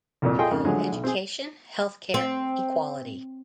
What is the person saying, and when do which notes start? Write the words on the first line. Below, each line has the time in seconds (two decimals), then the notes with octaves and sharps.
We value education, health care, equality.
0.22 C2 F2 A#2
0.38 F4 G#4 A4 D#5 G5 C6
0.51 F2 G#2 C#3 A#3
0.65 D3 F3 F#3 G#3 A3
0.92 B1
1.04 C4 G#4
2.14 C4